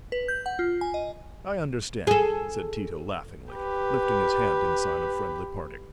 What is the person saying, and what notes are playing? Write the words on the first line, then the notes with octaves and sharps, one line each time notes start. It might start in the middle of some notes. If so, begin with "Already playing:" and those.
"I understand," said Tito, laughingly, lifting his hand in sign of friendly parting.
B4
G6
F#5
F4
G#5
D#5
G#4 A4
G4 B4